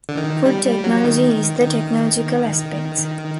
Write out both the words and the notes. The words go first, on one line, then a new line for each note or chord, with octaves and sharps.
Food technology is the technological aspects.
D3
D#3
G3
G3
F#3
D#3
D#3